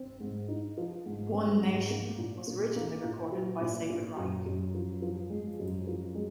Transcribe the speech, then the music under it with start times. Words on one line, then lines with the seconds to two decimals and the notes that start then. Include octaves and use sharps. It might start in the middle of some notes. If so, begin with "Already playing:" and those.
"One Nation" was originally recorded by Sacred Reich.
Already playing: C4
0.20 G#2
0.48 D#4
0.77 F3
1.06 G#2
1.33 C4
1.62 G#2
1.90 A#3
2.18 A#2
2.47 A#3
2.76 A#3
3.04 A#2
3.32 F#3
3.61 A#2
3.90 A#2
4.17 F#2
4.46 F#2
4.74 F3
5.02 F3
5.30 G#3
5.59 F#2
5.87 F3
6.15 G#3